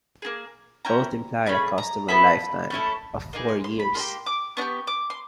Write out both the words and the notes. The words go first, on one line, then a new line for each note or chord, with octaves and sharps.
Both imply a customer lifetime of four years.
A#3 D#4 G#4
C#4 E4 G4 A#5
A3 C#4 G#4 B5
A#5
B3 E4 A4 B5
A3 C#4 E4 A4
A#3 D#4 G#4
C6
C6
B5
A#3 D4 G4 C6
D6
B3 D4 G4 C#6
D6
C6